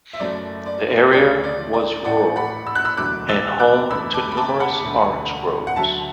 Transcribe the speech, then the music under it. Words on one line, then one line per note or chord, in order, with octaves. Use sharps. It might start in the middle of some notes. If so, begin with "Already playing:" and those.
The area was rural and home to numerous orange groves.
E5
F#1 F#2 F#3 A3 D5
D5
D2 D3 A3 D5
D5
D5
A1 A2 A3 D5 F#5
F#5 B5
E6
F#6
B5 E6
E1 D2 D3 F#3 A3 D6 F#6
E6 A6
D6 F#6
F#1 E2 D3 A3 B5 E6
A5 D6
B5
A5 D6
F#5 B5
E1 D2 D3 A3
F#5
D2 D3 F#3 E5 A5